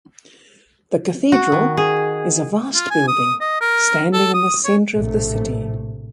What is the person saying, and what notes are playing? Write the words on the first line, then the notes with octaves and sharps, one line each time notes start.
The cathedral is a vast building, standing in the center of the city.
F#4
D#3
G#4
F4
G#5
D#6
D#5
A#4
A4
D#6
C#5
A#1 A2 C3 A3